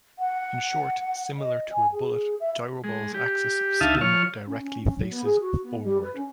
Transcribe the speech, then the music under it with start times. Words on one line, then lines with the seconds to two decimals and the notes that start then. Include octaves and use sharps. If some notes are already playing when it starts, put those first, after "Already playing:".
In short, similar to a bullet, gyroball's axis of spin directly faces forward.
0.19 F#5
1.38 D#5
1.73 G#5
1.93 G#4
2.40 E5
2.84 G#3
3.14 G4
3.81 D2 D#4 E5 F5 A5 D#6
4.01 F3 C#5 F6
4.46 C#4
4.63 C#4
4.83 C#4
4.96 F#3
5.09 B3
5.24 G#4
5.40 F#4
5.63 B3
5.82 G3
6.01 B4
6.15 C#4